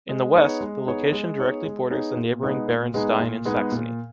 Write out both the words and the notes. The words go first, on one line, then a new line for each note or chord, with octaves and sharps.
In the west, the location directly borders the neighboring Bärenstein in Saxony.
G#3
B3 D#4 G#4 C#5
G#3
B3 D#4 G#4 C#5
G#3
B3 D#4 G#4 C#5
G#3
B3 D#4 G#4 C#5
A#2
G#3 B3 D#4 G#4
A#2
G#3 B3 D#4 G#4
A#2
G#3 B3 D#4 G#4
A#2